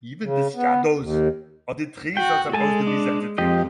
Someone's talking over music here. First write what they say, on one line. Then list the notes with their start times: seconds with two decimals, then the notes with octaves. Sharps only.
Even the shadows of trees are supposed to be sensitive.
0.23 C#3
0.55 B3
0.98 D#2
2.17 F#4 G5
2.53 G#3 A4 G#5 A5
2.87 D4
3.38 F2 F3 G4 D#5